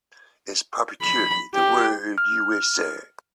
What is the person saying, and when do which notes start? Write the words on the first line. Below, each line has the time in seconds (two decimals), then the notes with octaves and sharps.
Is 'propinquity' the word you wish, sir?
1.02 B5
1.54 G4
2.18 F6